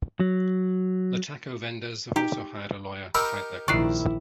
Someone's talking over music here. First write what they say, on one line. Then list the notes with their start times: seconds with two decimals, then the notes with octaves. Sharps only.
The taco vendors have also hired a lawyer to fight their cause.
0.20 F#3
2.16 D#4 G4
3.15 D#4 G4 A#4 B5 E6
3.68 A#1 D#3 E4 D5 C#6 F#6 C7